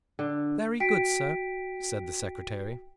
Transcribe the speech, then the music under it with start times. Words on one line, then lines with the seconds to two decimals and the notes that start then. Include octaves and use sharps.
"Very good, sir," said the secretary.
0.19 D3
0.80 F#4 G5 B6 D7